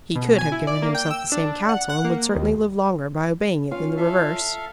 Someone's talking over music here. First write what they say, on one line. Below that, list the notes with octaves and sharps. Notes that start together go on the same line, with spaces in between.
He could have given himself the same counsel, and would certainly live longer by obeying it than the reverse.
B2
G#5
E4
D5
A#3
G5
E6
D4
F#5
F#5
A#3
D#2
C#4 F4 F5
A4 E5 F5